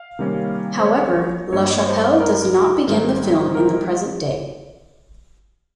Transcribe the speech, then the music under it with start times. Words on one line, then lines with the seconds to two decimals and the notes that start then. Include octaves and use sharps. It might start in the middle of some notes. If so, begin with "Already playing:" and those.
However, LaChapelle does not begin the film in the present day.
Already playing: F5
0.19 C3 D#3 G3 A#3 C#4
0.79 C5
0.85 C#5
1.53 G2 G3 A#3 C#5
1.70 D#5
1.78 C#5
1.87 C5
2.20 A#4
2.87 G#2 D#3 G3 C4 A#4
3.55 A#4